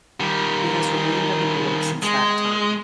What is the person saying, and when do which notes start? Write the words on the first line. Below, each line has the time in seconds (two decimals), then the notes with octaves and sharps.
He has remained on the Board since that time.
0.20 D#3 G3
2.03 G#3